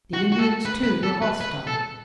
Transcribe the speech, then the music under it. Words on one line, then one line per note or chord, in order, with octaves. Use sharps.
The Indians, too, were hostile.
F#4
F#4
A4
B4
B4
A4
B4
B4
A4